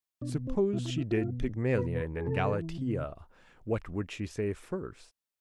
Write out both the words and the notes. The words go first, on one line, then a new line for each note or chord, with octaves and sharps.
Suppose she did Pygmalion and Galatea what would she say first?
B2 D4
C4
B2 E4
E4
E4
F4
B2
B2 B4
B4
G#4
C3 A4
E3
C3